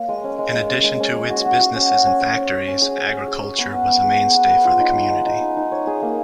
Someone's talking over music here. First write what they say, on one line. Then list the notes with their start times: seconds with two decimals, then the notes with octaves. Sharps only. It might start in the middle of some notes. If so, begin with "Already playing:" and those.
In addition to its businesses and factories, agriculture was a mainstay for the community.
Already playing: A#3 C#5
0.08 G#3
0.24 C#4
0.39 G#3
0.53 G#3
0.69 C#4
0.84 G#3
1.00 C#4
1.15 C#4
1.30 F#4
1.46 F#4
1.61 F#4
1.76 C#4
1.91 C#4
2.06 C#4
2.21 C#5
2.37 C#5
2.52 C#5
2.67 C#4
2.82 G#4
2.98 C#4
3.13 C#4
3.28 G#4
3.43 G#4
3.58 B3
3.73 B4
3.88 B3
4.04 G#4
4.19 B3
4.34 B4
4.50 B4
4.65 F4
4.80 D#4
4.96 G#4
5.10 D#4
5.26 D#4
5.41 G#4
5.57 D#4
5.72 C#5
5.87 G#4
6.02 A#3